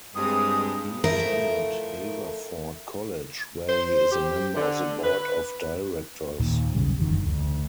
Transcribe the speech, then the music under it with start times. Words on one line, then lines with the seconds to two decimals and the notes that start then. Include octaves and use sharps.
He attended Haverford College, where he is a member of the Board of Directors.
0.15 G2 G#3 C4 G#4 D#6
1.04 F3 A3 E4 A#4
3.69 C5
4.11 G4
4.56 D3
5.03 B4
6.40 D#2 A#2 D#3
6.75 B1 E2 C#3 G3
7.00 F#1 E2 D3 D#3
7.26 D2